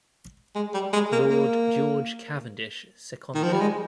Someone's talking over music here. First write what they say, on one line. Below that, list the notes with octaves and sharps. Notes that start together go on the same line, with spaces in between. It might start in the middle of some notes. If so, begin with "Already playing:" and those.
Lord George Cavendish seconded.
G#3
G3
G#3
A#3
A#3
D#3
F3
G3
G#3